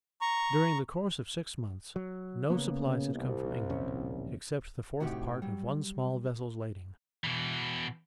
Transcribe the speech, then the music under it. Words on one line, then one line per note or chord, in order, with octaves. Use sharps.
During the course of six months, no supplies had come from England, except the fourth part of one small vessel's lading.
A#5 C#6
F#3
C#3 A#3 B3
C2
D1 A#1 C#4
A2 C3 D#4 F#4 G4
F#3 G3
B2 E3